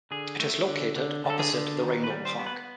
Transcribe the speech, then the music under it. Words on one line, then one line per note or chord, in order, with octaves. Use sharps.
It is located opposite the Rainbow Park.
D3 G#4
A3
D3
D3
D3
A4
G#4
D3
D#3
B4
G3
C5
B3
B4